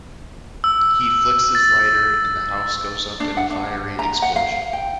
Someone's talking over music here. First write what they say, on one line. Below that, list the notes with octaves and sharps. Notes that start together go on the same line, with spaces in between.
He flicks his lighter and the house goes up in a fiery explosion.
E6
A6
D4
F#5
D4
A#5
F#5
F5
G5